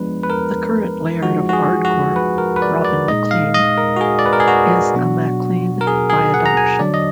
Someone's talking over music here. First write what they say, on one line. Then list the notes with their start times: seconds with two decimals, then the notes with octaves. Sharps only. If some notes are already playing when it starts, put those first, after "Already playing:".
The current Laird of Ardgour, Robin Maclean, is a MacLean by adoption.
Already playing: F3 G#3 B3 D4 B4
0.23 B4
0.30 A#4
1.22 F3 G#3 D#4 F#4
1.49 F#4
1.53 G#4
1.85 F#4
2.16 B4
2.38 A#4
2.56 B4
2.62 D5
2.85 D5
3.08 A#2 G#3 D#4 D#5
3.31 F5
3.54 D#5
3.78 A#4
3.96 F#4
4.01 G#4
4.19 D5
4.26 B4
4.33 A#4
4.40 G#4
4.47 F#4
4.95 B2 F#3 D4
5.81 A#4
5.87 G#4
6.10 G#4
6.34 F#5
6.46 A#5
6.57 G#5
6.79 D3 F#3 D4 D5
6.94 D#5